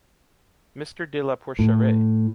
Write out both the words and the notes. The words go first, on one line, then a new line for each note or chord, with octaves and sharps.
Mister de la Porcheraie.
A2